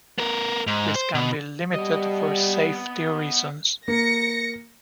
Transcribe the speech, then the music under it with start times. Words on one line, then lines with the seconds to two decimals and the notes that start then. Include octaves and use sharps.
This can be limited for safety reasons.
0.18 B3 A#4
0.67 G#2
0.96 C5
1.15 B2
1.74 G3 B3 D#5
3.88 A#3 A#6 C#7